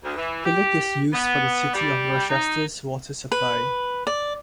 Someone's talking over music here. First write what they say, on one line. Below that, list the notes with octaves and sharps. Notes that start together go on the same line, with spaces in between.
The lake is used for the City of Rochester's water supply.
D2
E3
G4
B3
G3
D#4
B4
D5